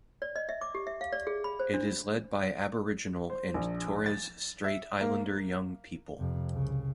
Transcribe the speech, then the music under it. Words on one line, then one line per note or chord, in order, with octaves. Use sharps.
It is led by Aboriginal and Torres Strait Islander young people.
D5
D#5
E5
D6
G4
E5
F5
D5
G#4
B5
C5
D4
C5
A#1
A6
E5
A#3
F2 C3
C2 C#3